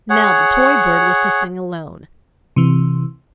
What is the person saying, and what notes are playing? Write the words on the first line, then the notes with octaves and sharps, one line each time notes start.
Now the toy bird was to sing alone.
G#4 C#5 F#5
C3 E3